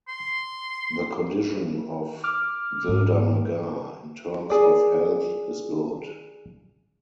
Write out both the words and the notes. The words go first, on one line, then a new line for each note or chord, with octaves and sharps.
The condition of Dildarnagar in terms of health is good.
C6
D6 F6
G#2
G#4 D5